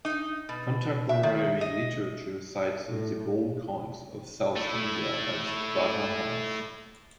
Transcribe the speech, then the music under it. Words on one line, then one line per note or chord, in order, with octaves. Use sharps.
Contemporary literature cites the gold coins of south India as Varahas.
D#4
B2
E5
D#3
D#5
A2
A3 E4